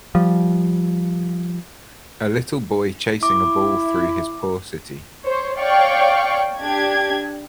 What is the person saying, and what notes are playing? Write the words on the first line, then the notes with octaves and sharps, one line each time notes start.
A little boy chasing a ball through his poor city.
F3 G3
E4 D6
C5 C#5
C#5 D5 F5 G5 C#6
D4 G4 G#6